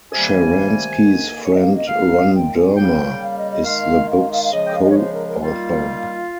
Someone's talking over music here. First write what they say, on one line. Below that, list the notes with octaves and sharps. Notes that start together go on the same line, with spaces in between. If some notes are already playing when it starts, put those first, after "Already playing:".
Sharansky's friend Ron Dermer is the book's co-author.
C3 D#3 G3 A#3 G#5
D#3 A#3
C#5
D#5
F5
D#5
A#2 G#3 F5
G5
G#5
C#3 G3 A#3 G5
F5
D#5
D#5
D#3 G#3 F5
F5
F5
F5
C#3 F3 G#3 D#5
G5
F5
D#5
C#5
C5
A#4
A#4
D#3 G3 A#3 F4